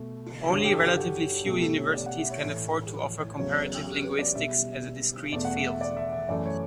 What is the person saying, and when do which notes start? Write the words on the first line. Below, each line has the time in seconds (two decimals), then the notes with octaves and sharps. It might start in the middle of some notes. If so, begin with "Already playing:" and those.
Only relatively few universities can afford to offer Comparative linguistics as a discrete field.
Already playing: B2 A3
0.49 G2 D3 G3 C#5
0.64 G4
0.73 A4
0.85 G4
0.97 F#4
1.46 B2 A3 G4
1.62 A4
1.78 C#5
1.94 D5
2.06 F#5
2.18 E5
2.30 C#5
2.42 A2 E3 A3
3.39 E2 C#3 F#3 A3 C#5
3.87 G4
4.03 B4
4.19 D5
4.35 B2 G3 E5
5.32 E2 B2 A3 D5
5.45 F#5
5.56 E5
5.68 E5
5.81 D5
5.97 E5
6.12 E5
6.29 F#2 E3 A3 D5
6.45 C#5